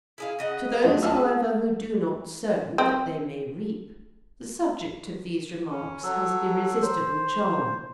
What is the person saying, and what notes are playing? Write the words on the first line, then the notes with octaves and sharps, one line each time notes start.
To those, however, who do not sow that they may reap, the subject of these remarks has irresistible charm.
E4 G#4 F5
C#3 D#5 F#5
F#3 A3 D#4 F4
F4 F5 A5 D#6 E6
G#4
C4
C#4
F#3 A4
C5